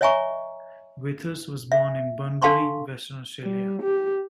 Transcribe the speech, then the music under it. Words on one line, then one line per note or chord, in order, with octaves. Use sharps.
Withers was born in Bunbury, Western Australia.
C#5 D#5 E5 G#5 A#5 C#6
E5
D4 A4 F5 A5 C6 C#6
G3
G4